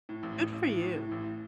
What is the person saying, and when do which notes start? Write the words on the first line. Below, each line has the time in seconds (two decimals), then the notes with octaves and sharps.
Good for you.
0.09 A2
0.23 A1
0.39 A1
0.52 A1
0.67 A2
0.82 A2
0.96 A2
1.11 A1